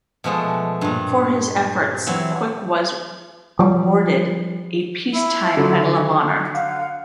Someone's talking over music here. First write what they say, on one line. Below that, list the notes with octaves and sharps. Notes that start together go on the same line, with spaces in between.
For his efforts, Quick was awarded a peacetime Medal of Honor.
B2 F3 G#3 A3
G2 A#2
E3 F#3 C4
F3 G3
E4
D3 F#3
F5 F#5